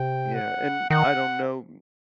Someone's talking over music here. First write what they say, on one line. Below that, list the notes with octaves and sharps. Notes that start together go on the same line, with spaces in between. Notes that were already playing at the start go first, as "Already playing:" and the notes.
Yeah, and, I don't know
Already playing: C3 G5
F#5
D#3 F#5